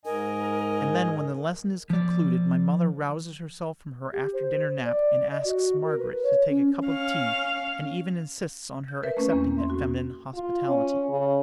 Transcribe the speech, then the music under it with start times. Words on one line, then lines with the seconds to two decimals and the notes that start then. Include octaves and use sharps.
And then, when the lesson is concluded, my mother rouses herself from her after-dinner nap, and asks Margaret to take a cup of tea, and even insists on her accepting that feminine hospitality.
0.05 G#2 A#4 D#5 G#5
1.90 F3 D5
4.13 G4
4.33 C5
4.85 D5
5.31 D#5
5.45 F#4
5.84 A#4
5.99 B4
6.23 C#5
6.50 C#4
6.87 C#4 F5
8.88 G6
9.03 A#4 B4 E5
9.17 A3 A#3 C#4
9.30 E2 A#3 C4 C#4
9.57 E5 C6
9.70 A2 F#4
10.34 F4
10.68 C#4
11.09 C#3